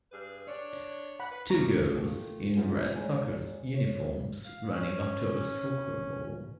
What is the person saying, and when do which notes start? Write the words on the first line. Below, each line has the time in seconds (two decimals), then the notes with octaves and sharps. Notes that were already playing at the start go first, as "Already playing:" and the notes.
Two girls in red soccer uniforms running after a soccer ball.
0.12 G2 G#4 B4
0.47 D4 C#5 D5
1.20 F#5 B5
1.32 B4
1.50 F#2 G4 A#5 C#6
1.95 A3 A#3 F4 G4
2.55 C3 E3 G#3 B3 D#4 F4
2.95 D#2 G#3 D5 G#5
3.75 C#5
4.45 F5
4.70 C#4